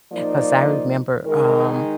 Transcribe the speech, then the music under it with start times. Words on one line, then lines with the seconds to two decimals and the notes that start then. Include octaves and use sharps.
'Cause I remember, um,
0.12 F3 A#3 D#4 D5
1.25 D#3 G#3 D#4 A#4